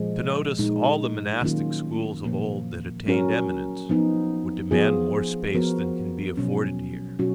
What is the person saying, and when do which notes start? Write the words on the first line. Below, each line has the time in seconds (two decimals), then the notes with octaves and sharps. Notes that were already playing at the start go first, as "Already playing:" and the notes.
To notice all the monastic schools of old that attained eminence would demand more space than can be afforded here.
Already playing: A#2 F3 G#3
0.59 A#2 G#3 D#4
1.42 D#3 F#3 A#3 C#4 F4
2.24 A#2 F3 A#3
3.06 F#3 C#4 F#4 A#4
3.89 F3 B3 D#4
4.71 F3 B3 F4 G#4
5.54 F3 B3 F#4 A#4
6.37 B2 F#3 C#4
7.19 B2 F#3 C#4 F#4